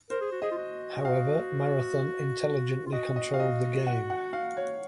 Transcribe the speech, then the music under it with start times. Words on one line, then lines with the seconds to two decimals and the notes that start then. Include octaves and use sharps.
However, Marathon intelligently controlled the game.
0.10 A#4 C5
0.21 G#4
0.32 F#4
0.42 G#4 D#5
0.51 F4
0.58 F#4
1.05 F5
2.86 F4
2.92 F#4 D#5
3.16 D#5
3.34 F5
3.39 D#5
3.87 F#5
4.10 F#5
4.33 F5
4.57 C#5